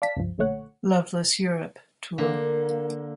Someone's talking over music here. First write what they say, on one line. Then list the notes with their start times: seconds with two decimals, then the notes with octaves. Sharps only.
Loveless Europe Tour.
0.02 D5 F5 A5 B6
0.17 C#2 G2 F3
0.38 B1 A#2 D3 A3 C#5 F#5
2.18 D3 A#3